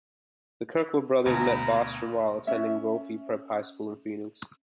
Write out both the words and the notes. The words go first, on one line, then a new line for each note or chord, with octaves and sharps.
The Kirkwood brothers met Bostrom while attending Brophy Prep High School in Phoenix.
D2 B2 A#5 B5
C#4 E5